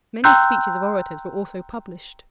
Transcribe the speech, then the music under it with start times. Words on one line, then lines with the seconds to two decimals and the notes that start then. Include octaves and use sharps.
Many speeches of orators were also published.
0.24 G5 A#5 C6 E6 F#6 G6